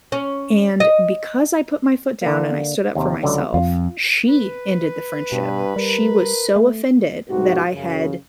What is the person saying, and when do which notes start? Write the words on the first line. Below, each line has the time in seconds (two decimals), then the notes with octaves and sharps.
And because I put my foot down and I stood up for myself, she ended the friendship. She was so offended that I had
0.12 C#4
0.80 D#5
2.21 D3 A#3
2.95 D#2 C3
3.23 C#2 D3 F#3
3.54 F2 F4
4.29 B4
5.32 G2 B2
5.76 G3 A#4
6.56 A3
7.30 B1 G#2 C3 F#4
7.73 F#2 C#3